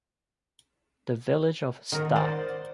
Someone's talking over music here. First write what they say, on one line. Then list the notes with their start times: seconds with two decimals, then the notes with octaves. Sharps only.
The village of Sta.
1.92 D#3 A#4
2.16 C5 D5 D#5 F#5